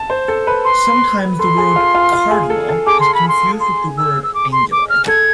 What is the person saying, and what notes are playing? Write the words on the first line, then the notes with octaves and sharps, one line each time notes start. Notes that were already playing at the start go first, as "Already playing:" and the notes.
Sometimes the word "cardinal" is confused with the word "angular".
Already playing: A5
C5
A4
B4
C6
A4 C6
G#4
F4
F4
F4
G#4
A4
A4
G#4 D6
C6
B5
C6
C6
E6
E6
D6
C6
D6
F6
A4 G#6